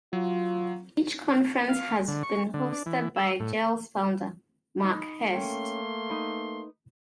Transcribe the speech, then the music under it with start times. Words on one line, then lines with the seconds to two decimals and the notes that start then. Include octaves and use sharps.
Each conference has been hosted by Gel's founder, Mark Hurst.
0.13 F#3 F4
1.69 F5
2.08 D3
2.23 C#6
2.54 D3
2.73 D4
2.86 E3
3.16 E6
3.40 A2
4.80 D#4 B5
5.34 A3 A#3 C#4 G5 C6
6.10 D#4 B4